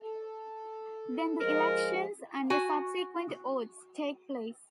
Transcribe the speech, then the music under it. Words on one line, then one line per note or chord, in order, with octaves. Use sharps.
Then the elections and the subsequent oaths take place.
A4
F3 G#3 A#4
F#4 G#5